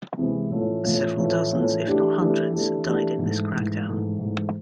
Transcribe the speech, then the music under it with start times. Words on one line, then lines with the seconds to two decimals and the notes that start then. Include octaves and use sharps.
Several dozens, if not hundreds, died in this crackdown.
0.17 C3 E3 G#3 C4
0.50 A2 E3 A3 C#4 F4
0.84 A2 E3 A3 C#4 F4
1.17 A2 E3 A3 C#4 F4
1.51 A2 E3 A3 C#4 F4
1.84 E3 A3 D4 G4
2.17 E3 A3 D4 G4
2.51 E3 A3 D4 G4
2.85 E3 A3 D4 G4
3.18 G#2 E3 A3
3.52 G#2 E3 A3
3.85 G#2 E3 A3
4.19 G#2 E3 A3